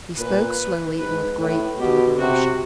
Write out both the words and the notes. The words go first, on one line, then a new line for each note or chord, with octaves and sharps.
He spoke slowly and with great deliberation.
A#2 B4
G#2 B4
A2 B4
B2 G4
C3 F#4